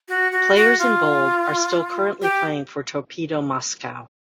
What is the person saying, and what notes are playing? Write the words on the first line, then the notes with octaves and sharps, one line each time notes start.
Players in bold are still currently playing for Torpedo Moscow.
F#4
F#4
F#4
F4
G4